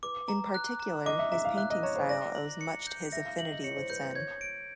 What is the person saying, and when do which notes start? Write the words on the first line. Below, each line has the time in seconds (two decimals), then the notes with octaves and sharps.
In particular, his painting style owes much to his affinity with Zen.
0.03 B4 D6
0.29 A#5
0.54 F#6
0.80 A#5
1.06 D#5 D6
1.19 E5
1.32 E5 A#5
1.45 F5
1.57 E5 F#6
1.70 D#5
1.83 C#5 A#5
1.96 C5
2.09 D5 A#6
2.35 F#7
2.61 C#7
2.87 G6
3.12 E5 A#6
3.25 F5
3.38 E5 F#7
3.51 D#5
3.64 C#5 C#7
3.77 C5
3.90 B4 G6
4.03 C5
4.15 C#5 G#6
4.41 D7